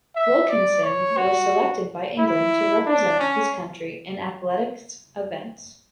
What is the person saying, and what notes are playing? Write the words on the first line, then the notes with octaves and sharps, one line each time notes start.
Wilkinson was selected by England to represent his country in athletics events.
E5
D5
C#5
F#4
E4
D4
C#4